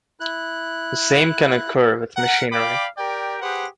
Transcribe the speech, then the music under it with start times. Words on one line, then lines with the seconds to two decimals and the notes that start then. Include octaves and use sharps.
The same can occur with machinery.
0.20 E4 F#6
2.17 A#4 F#5
2.52 D5 F5 G5 B5 D6
2.98 G4 A#4 D5 G5
3.42 G4 G#4 B4 C5 F#5